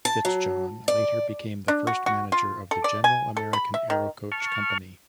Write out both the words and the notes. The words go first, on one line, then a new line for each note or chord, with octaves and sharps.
FitzJohn later became the first manager of the General American Aerocoach Company.
A5
F#3
D5
D4
F#4
F#4
F4
A4
D5
G#5
A4
B5
E5
D#3
A5 C#6 F6